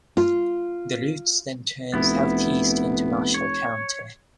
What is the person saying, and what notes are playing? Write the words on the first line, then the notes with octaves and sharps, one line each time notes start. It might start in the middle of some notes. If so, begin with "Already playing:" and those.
The routes then turn southeast into Marshall County.
F4
F1 B3 E4
C#5